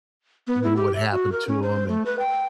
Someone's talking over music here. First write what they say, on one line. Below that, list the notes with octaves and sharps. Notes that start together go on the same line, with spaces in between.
knew what happened to him, and,
B3
E4
G4
E5
F#4
A#4
C#4
C5
A3
B4
G5